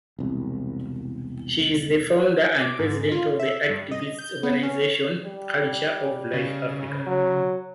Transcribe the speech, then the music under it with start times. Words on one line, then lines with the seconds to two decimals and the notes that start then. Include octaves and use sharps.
She is the founder and president of the activist organisation "Culture of Life Africa".
0.19 E1 C2
2.61 D6
2.79 G#2
3.12 F4
3.39 E5
3.70 G2
3.91 D#5
4.19 G6
4.43 B3
4.63 C#4
5.25 G3
6.33 C#3
7.07 F#3